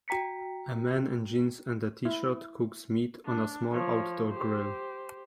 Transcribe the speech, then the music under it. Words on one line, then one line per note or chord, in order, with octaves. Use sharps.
A man in jeans and a tshirt cooks meat on a small outdoor grill.
F#4 G5 A#5 B6 C#7
E4
D4
F3 C#5
G4 C5